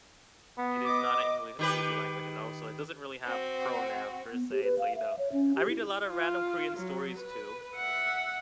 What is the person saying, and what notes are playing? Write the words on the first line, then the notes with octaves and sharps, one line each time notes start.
It is not an Engli easy language, and also it doesn't really have pronouns per se, so, you know, I read a lot of random Korean stories too,
B3
D#5 D6
D#3 G4 B4
C4 F#4
B3
G4
B4
F5
E5
C#5
C#4
G4
E4
F4
F#3
B4
E5 F#5